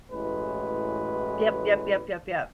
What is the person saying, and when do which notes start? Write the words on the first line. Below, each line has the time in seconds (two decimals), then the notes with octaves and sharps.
Yep, yep, yep, yep, yep.
0.11 A1 A2 G#3 F#4 B4